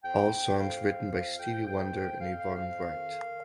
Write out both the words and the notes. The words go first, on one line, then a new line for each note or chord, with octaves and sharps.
All songs written by Stevie Wonder and Yvonne Wright.
F2 G5
F2
F3 F5
F3
F2 F5
F2 G5
F3 G5
F3
F2 F5
F5
F2
F5
D#3
D#3